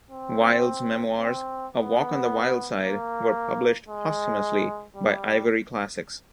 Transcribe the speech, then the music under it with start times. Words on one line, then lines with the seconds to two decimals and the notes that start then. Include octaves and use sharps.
Wild's memoirs "A Walk on the Wild Side" were published posthumously by Ivory Classics.
0.11 C4
1.18 C4
1.73 B3
2.81 A#3
3.89 G#3
4.96 G3